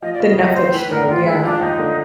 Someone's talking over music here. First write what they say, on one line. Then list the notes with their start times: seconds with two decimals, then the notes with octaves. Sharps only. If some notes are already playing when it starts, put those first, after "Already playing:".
The Netflix show, yeah.
0.02 F3 D#5
0.12 D5
0.20 C#3 D#5
0.38 C#2 D#5
0.56 C#2 C5
0.73 E3 B4
0.90 A2 A#4
1.08 A2 F4
1.26 G#3 E4
1.43 F3 D4
1.61 D#2 D#4
1.79 D3